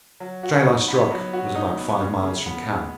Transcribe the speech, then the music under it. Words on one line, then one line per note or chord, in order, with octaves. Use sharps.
The trail I struck was about five miles from camp.
F#3
F#4
D#4
B3
F#3
F#4
D#4
B3
C#3
C#3
B3
G#3